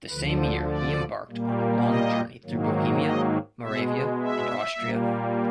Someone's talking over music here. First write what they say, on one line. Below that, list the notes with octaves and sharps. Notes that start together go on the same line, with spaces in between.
The same year he embarked on a long journey through Bohemia, Moravia and Austria.
D2 D3 F3 B4
C5
D5
A#2 G3 A#3
D#5
G#2 D#3 F#3 A#3
D#5
B2 G#3 E5
E5
A#2 G3 A#3